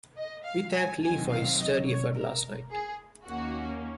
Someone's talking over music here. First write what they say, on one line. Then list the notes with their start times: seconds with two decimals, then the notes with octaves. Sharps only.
We thank Lee for his sturdy effort last night.
0.17 D#5
0.45 F5
0.74 G#5
1.02 D#2 D#3 F#3 C4 G#5
1.30 F5
1.58 D#5
1.86 C#5
2.14 A#4
2.71 G#4
3.27 D#2 D#3 A#3 C#4 F#4